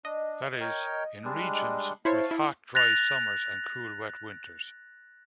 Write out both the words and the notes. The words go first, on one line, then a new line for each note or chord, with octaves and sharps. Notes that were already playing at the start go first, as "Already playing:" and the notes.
That is, in regions with hot dry summers and cool wet winters.
D4 D#5
A#4 C#5 G5
G3 G#3 D4
E4 C5 C#5 F5 A5
E4
F#6 A6 A#6 F7